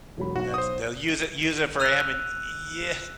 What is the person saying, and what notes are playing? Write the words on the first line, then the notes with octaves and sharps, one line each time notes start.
That's they'll use it use it for ammon y
E1 F#3 B5
B1 F#4 F#5
C5 D#6
E6 F#6 D#7 F7